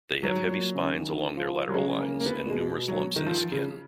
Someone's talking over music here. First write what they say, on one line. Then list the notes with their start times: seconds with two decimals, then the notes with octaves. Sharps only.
They have heavy spines along their lateral lines, and numerous lumps in the skin.
0.22 G#2 F#3
0.48 A#2
0.74 C#3
0.99 D#3
1.37 F3
1.69 F#3
1.74 C#3 G#3
2.00 A#3
2.20 A#3
2.26 B3
2.45 A#2
2.50 B2 G#3
2.88 F#3
3.16 D#3
3.26 F3
3.52 C#3